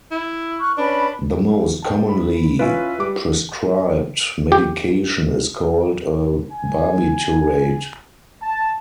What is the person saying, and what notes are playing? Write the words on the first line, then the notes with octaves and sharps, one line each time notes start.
The most commonly prescribed medication is called a barbiturate.
E4
C#6 F6 F#6
C#4 D4 B4 B5
B4 G5 A5
B5
C#4 E4 F4 B4 E5
G3 D6
G4
G#5
A5